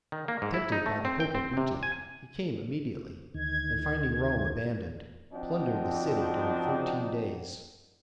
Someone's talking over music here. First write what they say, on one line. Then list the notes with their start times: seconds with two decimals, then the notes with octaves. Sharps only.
Tempted by the hope of booty, he came immediately, and finding Rome abandoned, plundered the city during fourteen days.
0.12 D#3
0.28 A#3
0.42 G#2
0.54 E4
0.72 D#4
0.86 A3
1.05 C4
1.20 G5
1.35 C4
1.57 C3
1.83 G#5
3.34 D2 D#3 G#6
5.31 F3 C4 D4 D#4 F#4